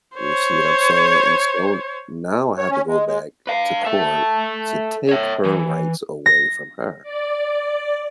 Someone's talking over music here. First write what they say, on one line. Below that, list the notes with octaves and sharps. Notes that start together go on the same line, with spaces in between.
You see what I'm saying? And so now I have to go back to court to take her rights away from her.
C5 C#5
C#5
C#4
G#3
G#3
B4 F5
A4 E5
C#5 E5
E3
A#6
D5